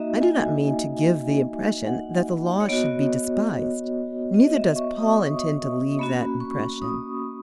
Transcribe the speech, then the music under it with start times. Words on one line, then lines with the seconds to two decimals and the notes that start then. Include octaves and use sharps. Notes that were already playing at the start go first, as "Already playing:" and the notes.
I do not mean to give the impression that the Law should be despised. Neither does Paul intend to leave that impression.
Already playing: A#3 D#4 F#4 D#5 E5
0.22 G#5
1.86 F#5
2.60 C#5
2.68 B3 F#4 D#5
4.34 D#5
4.55 E5
4.76 C#6
4.96 D#6
5.17 C#6
5.99 A#3 C#4 F#4 B5
6.40 C#6
6.82 D#6